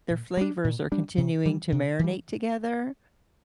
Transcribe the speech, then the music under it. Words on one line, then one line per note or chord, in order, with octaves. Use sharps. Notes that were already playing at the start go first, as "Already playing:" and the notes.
their flavors are continuing to marinate together,
A#2
G3 D4
A#2
G3 D4
C3
E3 G3
C3
E3 G3